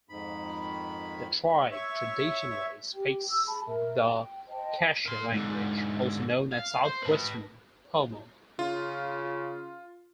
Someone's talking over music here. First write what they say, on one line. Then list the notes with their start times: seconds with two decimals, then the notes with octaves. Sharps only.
The tribe traditionally speaks the Kashaya language, also known as Southwestern Pomo.
0.09 F2 G#2 D#3 B5
1.72 C#5 E5 C#6
2.94 G4 G5
3.27 E6
3.47 G#4 A5 B5
3.67 A#4 E5
4.04 G5
4.48 C5 D#5 G5 A5
5.06 A#4 C6
5.32 G#2 D3
6.51 F5
6.84 C5
7.03 B4 A5
8.59 C#3 F4